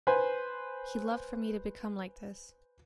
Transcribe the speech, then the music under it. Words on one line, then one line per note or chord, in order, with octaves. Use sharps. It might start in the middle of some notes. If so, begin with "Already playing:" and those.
He loved for me to become like this.
B4 C5 G#5